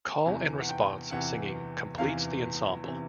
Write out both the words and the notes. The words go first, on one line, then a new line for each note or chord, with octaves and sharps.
Call-and-response singing completes the ensemble.
E2 C3 E3 G#5
F#5
G5
E2 C3 E3 F#5
E2 C3 E3 F5
C3 E3